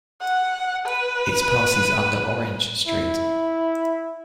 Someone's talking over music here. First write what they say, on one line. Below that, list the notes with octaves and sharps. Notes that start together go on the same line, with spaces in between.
It passes under Orange Street.
F#5
B4
E4